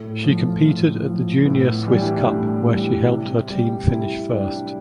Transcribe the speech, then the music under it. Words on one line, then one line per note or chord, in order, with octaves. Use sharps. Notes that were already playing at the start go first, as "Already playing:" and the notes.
She competed at the junior Swiss Cup where she helped her team finish first.
Already playing: A2 A3
F3
A2
F3
A2 B3
E3 G3 D4
E4
D4
A2
E3 G3
C3
G3
C3 E4
G3 D4